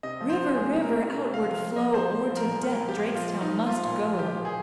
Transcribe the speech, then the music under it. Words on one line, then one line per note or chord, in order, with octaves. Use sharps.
'River, River, outward flow, Or to death Drakestail must go.'
C3 D#5
F3
C5
C3
C3 G#4
C3
A#4
C3
C3 A#4
C3
F5
F3
F3
F3 D#5
F3 C5
F3 C5
F3
A#4
A#2
A#2 A#4
F3
G4
F3
F3 F4
F3
D#4
F3
F3 F4
A#2
F3
F3 G4
A#2
G#4